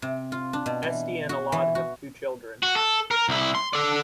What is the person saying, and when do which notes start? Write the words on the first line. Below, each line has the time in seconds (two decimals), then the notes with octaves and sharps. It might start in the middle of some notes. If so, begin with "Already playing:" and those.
Esti and Elad have two children.
0.02 C3
0.32 F4
0.53 D4
0.66 B2
0.83 E3
1.29 F#4
1.52 E3
1.75 F#4
2.63 F#4
2.76 A4
3.11 A#4
3.29 C2 E4
3.55 C6
3.73 A4 D5